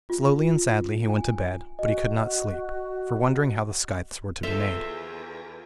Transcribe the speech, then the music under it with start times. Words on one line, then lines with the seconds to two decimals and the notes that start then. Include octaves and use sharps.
Slowly and sadly he went to bed, but he could not sleep, for wondering how the scythes were to be made.
0.10 F4
1.10 G#5
1.79 F#4 D#5
4.43 E2 F4 A4 C5 E5 F5